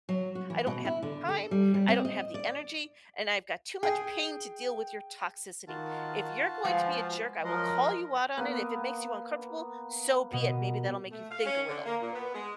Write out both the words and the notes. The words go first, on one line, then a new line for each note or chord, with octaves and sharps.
I don't have the time, I don't have the energy, and I've got too much pain to deal with your toxicity. If you're going to be a jerk, I will call you out on it, if it makes you uncomfortable, so be it, maybe that'll make you think a little,
F#3
F#4
E3
B2
E4
D3
A4
G3
G3
C4
D#5
D5
G#4 G5
D#3 F4 F#4 A5
F3 G#3 B3 F5
F3 F#3 F4 A#4 D#5 F#5 C6
A#3 B3
B2 B3
A3
F5
C#4
D3
A#3
A#2
B3
G#3